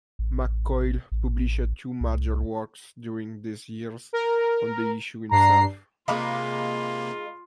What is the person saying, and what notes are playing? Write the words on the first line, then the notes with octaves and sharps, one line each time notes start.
MacColl published two major works during these years on the issue himself.
A1
A1
C2
A#4
G2 D4 A#5 C7
C3 G#3 A#3 D#4 F4 F5 B5 D6